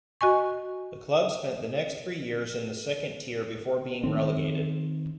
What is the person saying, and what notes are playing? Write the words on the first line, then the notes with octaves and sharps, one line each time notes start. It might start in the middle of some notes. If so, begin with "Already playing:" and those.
The club spent the next three years in the second tier before being relegated.
F#4 D#5 G#5 C#6
D#3 C4